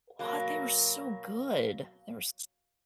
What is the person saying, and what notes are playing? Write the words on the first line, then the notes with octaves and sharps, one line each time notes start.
What! They were so good. They were s
B2 F#3 A#3